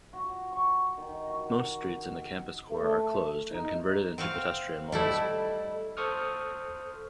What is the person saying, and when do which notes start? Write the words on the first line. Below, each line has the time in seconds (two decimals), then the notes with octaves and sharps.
Most streets in the campus core are closed and converted into pedestrian malls.
0.13 F#4
0.53 C#6
0.98 D#3
1.27 F#4
2.71 A3
3.51 D#4
4.18 C4 F#4 F5
4.92 G3 A3 E4 A4 D#5
5.97 A4 C5 C#6 D#6 F6